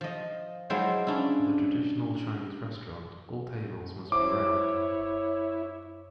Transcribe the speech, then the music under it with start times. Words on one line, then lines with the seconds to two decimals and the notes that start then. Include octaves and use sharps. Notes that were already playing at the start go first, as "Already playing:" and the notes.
For the traditional Chinese Restaurant, all tables must be round.
0.01 F3 D#5
0.70 F3 F#3 G#3 E4 C5 G5
1.07 C#4 D4 E4
4.12 F#2 E4 C5 C#5 D6